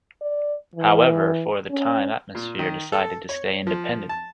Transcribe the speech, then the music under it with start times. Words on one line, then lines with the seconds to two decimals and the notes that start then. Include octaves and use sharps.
However, for the time, Atmosphere decided to stay independent.
0.22 D5
0.76 E3
1.71 C#4
2.35 A#2
2.59 D#3
2.92 A4
3.29 C#5
3.67 F3
4.09 A5